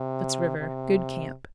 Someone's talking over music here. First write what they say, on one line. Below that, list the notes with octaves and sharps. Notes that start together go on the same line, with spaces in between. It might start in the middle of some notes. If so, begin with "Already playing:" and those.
Soot's River.--Good camp.
Already playing: C3
C3